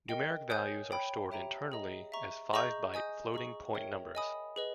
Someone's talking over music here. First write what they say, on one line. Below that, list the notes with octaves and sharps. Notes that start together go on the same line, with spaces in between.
Numeric values are stored internally as five-byte floating point numbers.
A#4 D#5 G5
C#5 G#5 D#6 G6
C#5 G5 B5
G4 C#5 E5 G5 A#5
G#4 D#5 A#5
E5 A#5 C#6
G#4 D#5 A#5 C#6 G6
D#5 G#5 D#6 G6
G#4 D#5 A#5 C#6
A#4 C#5 E5 G5
D#5 G#5 B5 D#6
G#4 B4 D#5